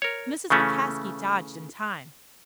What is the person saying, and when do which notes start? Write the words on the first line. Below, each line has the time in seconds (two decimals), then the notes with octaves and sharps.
Mrs. McCaskey dodged in time.
0.02 A#4 C#5
0.50 C#3 E3 A3 C#4